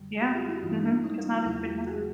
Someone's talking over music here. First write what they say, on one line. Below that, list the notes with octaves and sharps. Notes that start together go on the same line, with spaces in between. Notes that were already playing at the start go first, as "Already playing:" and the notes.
Yeah, mhm, 'cause not everybody has one.
Already playing: F#2 D3 G3
F#4 G#4
F4 G4
E4 F#4
G2 E3 G3 D#4 F4
D4 E4
C#4 D#4
D#4 F4
E2 C#3 F#3 E4 F#4
F4 G4
F#4 G#4